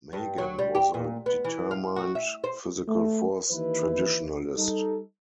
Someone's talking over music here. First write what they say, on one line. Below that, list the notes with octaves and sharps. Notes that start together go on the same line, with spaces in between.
Magan was a determined physical force traditionalist.
G2
F#3
G3
G4
A#2
B3
E3
F5
F#4
E5
C5
A3
D#2 E3 E4 B4
G3 D#4 A4